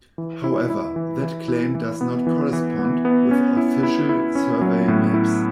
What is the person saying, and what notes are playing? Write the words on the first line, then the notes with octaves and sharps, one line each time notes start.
However, that claim does not correspond with official survey maps.
E3
E4
E4
E3
E3
E4
E3
B3
E3
E3
B3
B3
C#4
E4
E4
E4
C#4
F#3
A2
E4